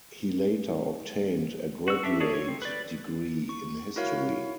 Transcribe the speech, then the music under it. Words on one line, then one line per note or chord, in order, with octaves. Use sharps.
He later obtained a graduate degree in history.
F#4 E6
D4 G4 E5
D4 F#4 G#4 C#5 D5
C#5
C4
B4 D5
C#6
E4 F#4 A#4 C#5 F5